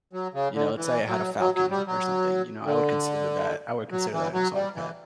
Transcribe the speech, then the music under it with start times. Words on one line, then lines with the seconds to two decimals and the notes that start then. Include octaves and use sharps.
you know, let's say I had a falcon, or something, you know, I would consider that I would consider that an exotic pet,
0.13 F#3
0.34 C#3
0.55 D3
0.77 E3
1.08 F#3
1.39 F#3
1.55 F#3
1.71 G3
1.87 F#3
2.65 D3
3.91 F#3
4.13 E3
4.33 F#3
4.54 G3
4.76 E3